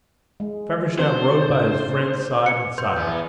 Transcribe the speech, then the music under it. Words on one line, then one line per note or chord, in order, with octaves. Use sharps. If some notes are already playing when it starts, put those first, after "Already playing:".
Feversham rode by his friend's side in silence.
G#3
C4 D4 C5
A#2 C#3 D4
C#7
B4 C6 G6
E2 B3